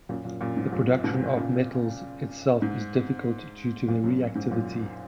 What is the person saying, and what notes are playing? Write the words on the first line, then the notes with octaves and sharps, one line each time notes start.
The production of the metals itself is difficult due to their reactivity.
F#2 A#2
F#2 A#2
F#2 A#2
G#2
F#2 A#2
G#2 B2
A#2 C#3
G#2
F#2 A#2
F#2
F#2
G#2
F#2 A#2